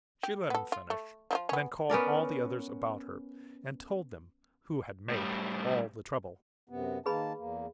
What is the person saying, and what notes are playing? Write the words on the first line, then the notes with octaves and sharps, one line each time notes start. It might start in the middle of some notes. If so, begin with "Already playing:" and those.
She let him finish, then called all the others about her and told them who had made all the trouble.
G4
B3 A4
F4
A3
F3 D#4 F4
B3 C#4
B3 C#4 A#4 D5
A2 G3
F#2 C3 B3
D#3 A#3 G#4 B4 A5 B5
E2 A#3